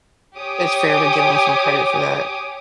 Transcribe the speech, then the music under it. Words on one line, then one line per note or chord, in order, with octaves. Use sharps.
it's fair to give 'em some credit for that.
G4 C#5 G#5 D6 D#6